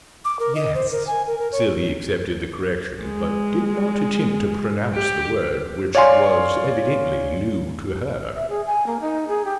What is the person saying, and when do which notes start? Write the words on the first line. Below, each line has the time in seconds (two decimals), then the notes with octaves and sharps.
"Yes." Sylvie accepted the correction, but did not attempt to pronounce the word, which was evidently new to her.
0.25 D6
0.39 A#4
0.55 D#5
0.75 C5
0.91 A#4
1.07 G#5
1.27 A#4
1.39 A#4
1.52 C#5
3.03 G#3
4.95 G4
5.95 C#5 D5 F5 G#5 C6
8.36 E5
8.49 G#4
8.66 G#5
8.87 A#3
9.01 D#4
9.28 G#4
9.45 G4